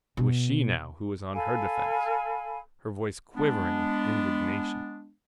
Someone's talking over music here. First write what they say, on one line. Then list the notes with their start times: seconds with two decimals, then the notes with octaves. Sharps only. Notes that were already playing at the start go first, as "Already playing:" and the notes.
It was she now who was on her defence, her voice quivering with indignation.
0.17 B2
1.34 A4 F5 G#5 B5
3.35 G#3 B3 D4